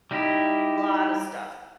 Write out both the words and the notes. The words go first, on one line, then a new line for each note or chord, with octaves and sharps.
Lotta stuff.
G3 D#4 E4 G4